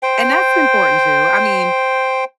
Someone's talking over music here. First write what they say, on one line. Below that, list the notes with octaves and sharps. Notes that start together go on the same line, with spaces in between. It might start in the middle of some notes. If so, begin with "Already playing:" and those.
And that's important too, I mean,
C5 G5